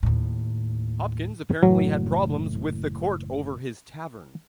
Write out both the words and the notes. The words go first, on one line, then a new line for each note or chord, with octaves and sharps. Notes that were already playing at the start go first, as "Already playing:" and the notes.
Hopkins apparently had problems with the Court over his tavern.
D#2 A2
F#1 A2 E3 F#3